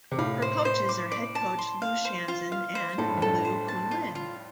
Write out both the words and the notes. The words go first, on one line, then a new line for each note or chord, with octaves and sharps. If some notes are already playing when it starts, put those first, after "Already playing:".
Her coaches are head coach Lu Shanzhen, and Liu Qun Lin.
C3
A2 F5
C5
C5
D6
D5
A5
C6
F5
C5
F4
F5
C5
A2 A4
G2
F2
G2 A4
C5
A5
F4
F4